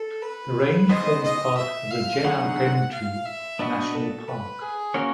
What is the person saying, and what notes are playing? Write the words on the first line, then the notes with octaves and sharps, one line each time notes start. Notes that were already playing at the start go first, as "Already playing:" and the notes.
The range forms part of the Gennargentu National Park.
Already playing: A4
B4
B3 D#4 G#4 C5 D#5
D#5
E5
F5
D3 F#3 B3 D#4 G#4 F#5
F5
E5
B3 D4 F#4 B4 D#5
A4
B4
G#4
A#3 C#4 F#4 A#4 C#5